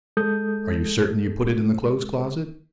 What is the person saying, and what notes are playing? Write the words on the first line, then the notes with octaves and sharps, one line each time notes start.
"Are you certain you put it in the clothes closet?"
G#3 A4 D#6 G6